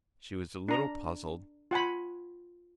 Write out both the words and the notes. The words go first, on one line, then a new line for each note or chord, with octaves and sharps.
She was a little puzzled.
D4 A#5
F4 F#5 G#5 B5